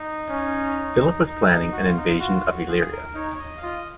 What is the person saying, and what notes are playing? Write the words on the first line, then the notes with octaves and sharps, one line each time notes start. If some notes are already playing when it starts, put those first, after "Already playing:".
Philip was planning an invasion of Illyria.
Already playing: D#4
C#4
D#4
D#4
F#4
F4
D#4
F4
F4 F#4
F#4
F4 G#4
G#4
A#4
D#4 C#5
C#5
D#5
F5
F4 D#5